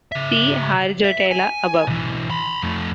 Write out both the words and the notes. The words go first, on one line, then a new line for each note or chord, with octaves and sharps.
See harjoitella above.
C#3 E5
E5
G#5
B1 E3
B5 C6
F2 A3